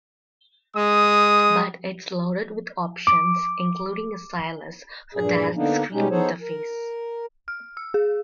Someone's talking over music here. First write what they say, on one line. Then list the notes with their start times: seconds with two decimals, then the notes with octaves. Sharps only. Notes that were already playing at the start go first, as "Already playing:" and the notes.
But it's loaded with options, including a stylus for direct screen interface.
0.76 G#3 D#6
3.07 D6
5.15 G2 A#2 G#4
5.56 D3 A#3 B3 D4 D#4
5.92 B2 G3 G#3 C#4 D#4 G4
6.10 B3 D#4 G#4 A4 C5 C#5
6.41 A#4
7.48 F6
7.77 E6
7.94 G#4